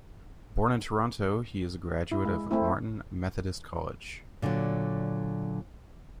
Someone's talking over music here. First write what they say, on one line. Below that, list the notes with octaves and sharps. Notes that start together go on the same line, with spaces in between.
Born in Toronto, he is a graduate of Martin Methodist College.
E4
G#3
A3 C4 E4
A#2 D3 F3 F#3